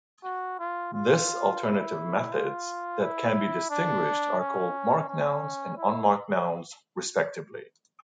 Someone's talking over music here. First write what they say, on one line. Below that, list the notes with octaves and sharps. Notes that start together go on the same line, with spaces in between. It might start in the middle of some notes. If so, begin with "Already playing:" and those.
This alternative methods that can be distinguished are called marked nouns and unmarked nouns respectively.
F#4
F4
F4
E4
F4
E4
D4
C#4
C#4
E4